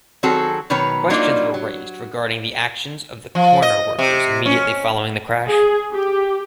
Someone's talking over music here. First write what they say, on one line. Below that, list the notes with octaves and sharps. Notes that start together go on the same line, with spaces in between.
Questions were raised regarding the actions of the corner workers immediately following the crash.
D#3 F#3 C4 F#4 G#4 A4
B2 D#3 F#3 B4 C#5 A#5
F#3 G3 A#3 D4 D#4 F4
F#3
F3
D#5
C3
C#4
G#4
G4